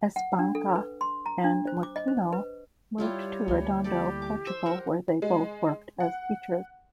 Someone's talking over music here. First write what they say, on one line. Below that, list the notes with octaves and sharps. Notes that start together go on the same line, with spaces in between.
Espanca and Moutinho moved to Redondo, Portugal, where they both worked as teachers.
F#5
D4
A4
B4
C6
A#5
D4
C5
D6
D#5
C5
B4
G3 E4 F4 G4 C#5
D2 E3 A#3
G4 A4 D5
D6
C5 E6
G4 A#4 F#5
G#3
F#5